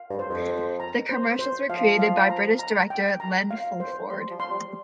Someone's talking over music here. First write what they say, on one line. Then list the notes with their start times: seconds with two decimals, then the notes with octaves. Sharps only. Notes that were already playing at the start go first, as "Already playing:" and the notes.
The commercials were created by British director, Len Fulford.
Already playing: F5
0.10 G2
0.19 C5
0.30 F2
0.49 C5
0.80 A#5
1.09 C5
1.39 C5
1.70 F3 F5
1.99 F5
2.29 A#5
2.59 A#5
2.90 G5
3.20 A#5
3.51 F5
3.80 C5
4.10 G3 C6
4.31 F3
4.40 C6
4.51 G3